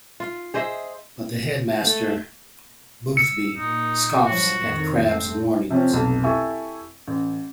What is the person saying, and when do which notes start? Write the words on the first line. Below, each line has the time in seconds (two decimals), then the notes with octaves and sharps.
But the headmaster, Boothby, scoffs at Crabbe's warnings.
0.20 F4
0.54 G#4 C5 D#5 E5
1.84 A3
3.17 E6 C#7
3.57 A#2 D#4
4.26 G2 F3 F#3 F#4
4.63 F2 A2 D#3
5.07 A3 C4
5.70 C3 F3 C4 C#4
5.91 F1 B1
6.24 E4 G4 A4 E5 G#5 C#6
7.08 A1